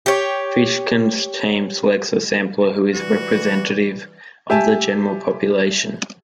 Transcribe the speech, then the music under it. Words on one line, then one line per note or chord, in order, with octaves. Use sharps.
Fishkin's team selects a sample who is representative of the general population.
G4 C#5
E3 G3 F#4
G4 E5 G#5 A5